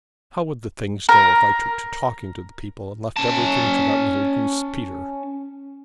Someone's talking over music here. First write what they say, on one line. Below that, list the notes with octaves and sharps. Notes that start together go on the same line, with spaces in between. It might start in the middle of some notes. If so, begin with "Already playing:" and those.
How would the things go, if I took to talking to the people, and left everything to that little goose, Peter?
A#4
C#4 A5